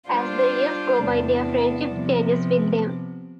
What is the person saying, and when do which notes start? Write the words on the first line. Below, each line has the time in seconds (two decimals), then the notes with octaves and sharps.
As the years go by their friendship changes with them.
0.09 G3 D4 F4 C5
1.02 E2 C3 G3 B3 D4
1.96 C3 F3 B3